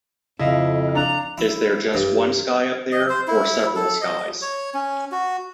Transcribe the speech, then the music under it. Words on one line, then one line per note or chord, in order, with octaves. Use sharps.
Is there just one sky up there, or several skies?
F2 C#3 E4 D#5 F5 A5
D4 F5 A#5 F#6
E4
G2
D#5
C5
E4
A4
D#5
C#5
C#4
F#4